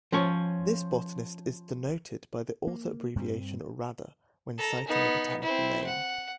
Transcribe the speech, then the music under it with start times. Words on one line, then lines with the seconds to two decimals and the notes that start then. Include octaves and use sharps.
This botanist is denoted by the author abbreviation Radde when citing a botanical name.
0.12 F3 C#4 C#5
2.67 A#3
3.15 G2 G3 G#3 C4
4.58 A4 A#5
4.88 B3 D#4
5.42 C4 E4
5.86 F#5